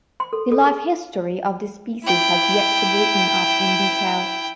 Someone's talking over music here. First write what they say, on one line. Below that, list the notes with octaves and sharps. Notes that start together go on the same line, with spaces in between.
The life history of this species has yet to be written up in detail.
C6
A4
A4
G#4
E4 G5